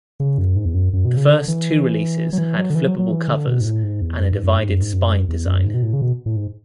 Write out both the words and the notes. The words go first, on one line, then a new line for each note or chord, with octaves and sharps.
The first two releases had flippable covers and a divided spine design.
C#3
F#2
G#2
E2
F#2
F#2
B2
C#3
D3
E3
F#3
E3
F#3
D3
E3
F#3
F#3
E3
D3
B2
G#2
A2
G#2
E2
F#2
G#2
F#2
G#2
F#2
G#2
F#2
E2
F#2
G#2
B2
A2
C#3
B2
A2
G#2